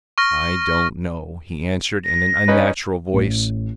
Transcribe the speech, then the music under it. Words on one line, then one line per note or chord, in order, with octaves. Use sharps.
"I don't know," he answered in an unnatural voice.
C#6 F6 A#6
A#6
C#4 D#4 B4
A1